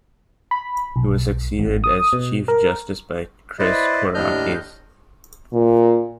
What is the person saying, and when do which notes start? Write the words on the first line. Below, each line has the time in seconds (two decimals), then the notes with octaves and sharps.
He was succeeded as Chief Justice by Chris Kourakis.
0.51 B5
0.96 B1
1.59 G#1
1.84 D#6
2.13 B2
2.48 A#4
3.59 E4 B4 C5 D5 D#5
4.14 D#2 A2 D4 D#5 F6 G6
5.54 A#2